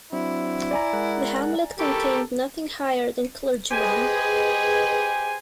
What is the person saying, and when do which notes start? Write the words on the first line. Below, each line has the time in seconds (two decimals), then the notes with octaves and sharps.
The hamlet contained nothing higher than clergyman.
0.12 F#3 C4 D4 E4
0.71 D5 G#5 A#5
0.93 G#3 A#4 F#5
1.79 G4 A4 A#4 B5 C#6
3.71 G4 G#4 B4 C5 D#5 G#5